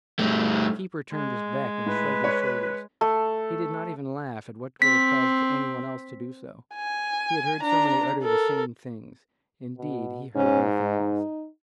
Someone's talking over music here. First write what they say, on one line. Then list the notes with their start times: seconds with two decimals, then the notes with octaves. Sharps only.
The keeper turned his back, and shrugged his shoulders; he did not even laugh at what would have caused any one else to do so; he had heard so many utter the same things,--indeed, he heard nothing else.
0.19 G2 A3
1.13 G#3
1.86 A2 B4
2.24 C#5
3.01 A3
4.82 C4 B6
6.75 G#5
7.63 D4 A#5
8.23 A4 A#4
9.77 B2
10.35 G#2 C#4
10.67 D#4